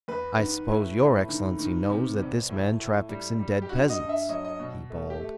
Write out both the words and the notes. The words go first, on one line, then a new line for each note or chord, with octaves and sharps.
"I suppose your Excellency knows that this man traffics in dead peasants?" he bawled.
E2 B4
D#3
A2
A2
D#3
D#3
C3
C2
A2
A2
G3
G3
G4
G2 F#4
D#5
G2
E5
F#3 D#5
D#5
B2
A3
G4
A3